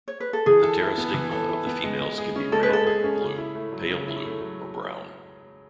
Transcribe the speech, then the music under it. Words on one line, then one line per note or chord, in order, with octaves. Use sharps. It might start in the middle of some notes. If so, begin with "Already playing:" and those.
The pterostigma of the females can be red, blue, pale blue or brown.
C#5
B4
A4
E3 G#4
A4
E4
B3
E3
A4
E4
B3
G#3
G#3
G#4
C#4
G#3 A4
B4
G#3 A4
G#4
C#4
C#3
E4
A3
F#3
C#3
E4
A3
F#3